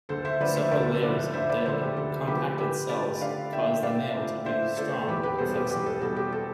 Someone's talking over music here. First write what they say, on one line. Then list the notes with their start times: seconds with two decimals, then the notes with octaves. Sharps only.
Several layers of dead, compacted cells cause the nail to be strong but flexible.
0.09 D2 A4 C5
0.25 C5 E5
0.40 D3 F3 A3 B4 D5
0.56 C5 E5
0.72 D2 B4 D5
1.02 D3 F3 A3 B4 D5
1.34 D2 C5 E5
1.49 B4 D5
1.65 D3 F3 A3 A4 C5
1.81 G4
1.96 D2 A4
2.27 D3 F3 A3 G4 B4
2.58 D3 G4 B4
2.89 A3 D4 F4 B4 D5
3.21 D3 D5 F5
3.52 A3 D4 F4 E5 G5
3.83 D3 D5 F5
4.15 A3 D4 F4
4.45 D3 C5 E5
4.76 A3 D4 F4 A4 C5
5.02 A4
5.07 E2 G4 B4
5.23 G4 B4
5.38 B2 G3 A4 C5
5.54 G4 B4
5.70 E2 G4
5.86 A4
6.01 B2 G3 A4
6.16 G4
6.32 A4